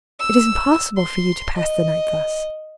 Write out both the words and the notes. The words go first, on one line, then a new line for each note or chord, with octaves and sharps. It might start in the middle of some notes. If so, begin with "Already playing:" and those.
It is impossible for you to pass the night thus.
E6
C6
D#5